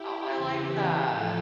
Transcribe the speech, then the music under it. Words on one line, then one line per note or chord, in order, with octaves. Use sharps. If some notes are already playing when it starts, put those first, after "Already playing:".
Oh, I like that.
Already playing: E4 G4
E2 C#3 E3
A2 F3 F4 A4